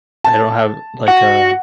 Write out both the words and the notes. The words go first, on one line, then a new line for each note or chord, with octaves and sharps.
I don't have like, uh
A5
F#4 F#5